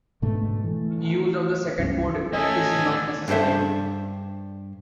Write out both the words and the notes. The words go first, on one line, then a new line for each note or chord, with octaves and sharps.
Use of the second port is not necessary.
G#2 B2 D3 A3
E3 A3
C#2 G2 C#3 C#4
A3 C#4 A4 D#5 G#5
G2 D4 A4 C5 E5